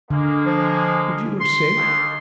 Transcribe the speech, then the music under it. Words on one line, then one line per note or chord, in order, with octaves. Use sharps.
But you are--safe.
D3 G#3 A#3
F3
C6
D#2